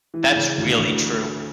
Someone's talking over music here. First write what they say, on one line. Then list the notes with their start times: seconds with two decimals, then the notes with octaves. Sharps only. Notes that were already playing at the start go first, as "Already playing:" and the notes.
That's really true.
0.14 E3
0.36 C#3
0.58 D2
0.79 D2